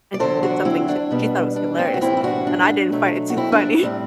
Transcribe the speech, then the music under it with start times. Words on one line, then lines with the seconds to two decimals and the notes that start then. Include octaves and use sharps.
And she did something sh she thought was hilarious, and I didn't find it too funny.
0.14 D5
0.20 E2 D3 F#3 A4 C5
0.43 D4 F#4
0.65 C4 E4
0.88 D4
1.11 B2 G3 B3
1.56 D4
1.79 C4
1.94 F#4
2.01 A2 E3 G3 C4 E4
2.17 E4
2.24 D4 F#4
2.47 D4
2.92 B2 F#3 A3
3.30 F#4
3.37 C4 E4
3.52 D4
3.83 A2 G3 C4